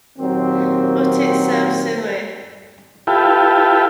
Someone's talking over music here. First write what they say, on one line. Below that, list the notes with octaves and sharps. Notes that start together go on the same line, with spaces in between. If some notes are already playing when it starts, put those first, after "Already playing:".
But it's so silly!
D#2 A#2 F#3 C4
E4 F4 G4 A4 B4